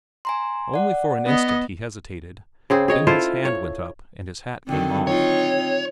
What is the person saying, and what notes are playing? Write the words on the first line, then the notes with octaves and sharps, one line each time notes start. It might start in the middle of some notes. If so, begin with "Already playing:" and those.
Only for an instant he hesitated, then his hand went up and his hat came off.
G#5 A#5 C6
D5 F#5
B3 D#5
C#3 C4 G#4
G#4 C#5 D#5
E4 F4 A4 C5
C#5
D3 D#3 F#3 C4
D#4 F4 C#5